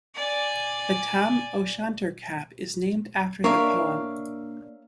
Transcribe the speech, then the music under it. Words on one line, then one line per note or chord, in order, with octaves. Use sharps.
The Tam o' Shanter cap is named after the poem.
D5 G#5
A#3 D4 C#5 E5 F5